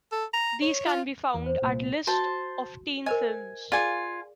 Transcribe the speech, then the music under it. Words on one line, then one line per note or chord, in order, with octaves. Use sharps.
These can be found at list of teen films.
A4
A#5
C#5
F4
E2
C5
C2 A#2
F#4 C5 A5
A#4 C5 D#5 G#5
F4 G#4 D5 F5 G#5